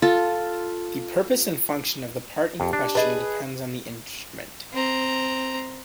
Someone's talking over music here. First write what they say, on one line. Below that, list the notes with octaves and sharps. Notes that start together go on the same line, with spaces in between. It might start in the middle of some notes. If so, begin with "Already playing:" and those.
The purpose and function of the part in question depends on the instrument.
F4 A4
F2 G4
D4
G#4 B4 D#5 A5
C4 A#5